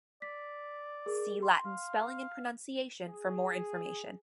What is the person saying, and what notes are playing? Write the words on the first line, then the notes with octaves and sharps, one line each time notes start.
See Latin spelling and pronunciation for more information.
D5 B6
G#4 A#4
C6
F5
G#4